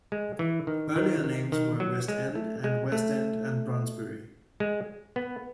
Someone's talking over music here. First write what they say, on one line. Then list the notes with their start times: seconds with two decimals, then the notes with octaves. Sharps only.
Earlier names were "West End" and "West End and Brondesbury".
0.12 G#3
0.39 E3
0.67 D#3
0.96 D#3
1.24 D#3
1.52 D#3
1.80 F#3
2.08 G#3
2.35 A3
2.64 G#3
2.92 A3
4.60 G#3
5.16 B3